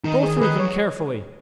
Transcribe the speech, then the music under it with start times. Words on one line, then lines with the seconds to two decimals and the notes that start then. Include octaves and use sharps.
Go through them carefully.
0.04 D#3 D#4
0.23 G#4
0.37 G#4
0.41 D#3 B4
0.59 F#3 C#5